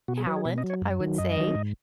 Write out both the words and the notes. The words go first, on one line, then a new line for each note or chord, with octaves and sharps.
talent, I would say,
B2 F#4
G#4
F#3 B4
G#4
B2 B4
D#5
F#3
C#5
F#2
D#3 F#3
F#2 D#5
D#3 F#3
G#2